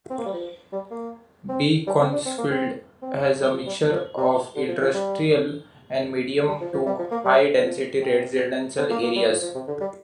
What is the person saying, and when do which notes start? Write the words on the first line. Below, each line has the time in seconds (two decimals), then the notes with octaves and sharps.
Beaconsfield has a mixture of industrial and medium to high density residential areas.
0.10 C4
0.18 A#3
0.26 G3
0.33 F3
0.72 G3
0.91 A#3
1.49 C4
1.87 G3
2.00 C4
2.13 D4
2.25 C4
2.38 A#3
2.51 C4
3.02 C4
3.41 G3
3.53 F3
3.66 G3
3.92 F3
4.17 C3
4.56 D3
4.68 F3
4.82 F3
4.94 G3
6.48 G3
6.61 F3
6.73 F3
6.86 G3
6.99 F3
7.11 A#3
7.24 G3
7.55 D3
7.63 F3
8.01 C3
8.78 D3
8.91 A#3
9.03 A#3
9.16 G3
9.30 F3
9.42 F3
9.55 C3
9.67 D3
9.81 G3